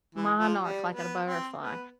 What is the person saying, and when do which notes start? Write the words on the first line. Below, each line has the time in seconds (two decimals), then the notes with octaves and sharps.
Monarch, like in a butterfly.
0.15 E3
0.38 F3
0.60 G3
0.93 B3
1.25 C4
1.59 B3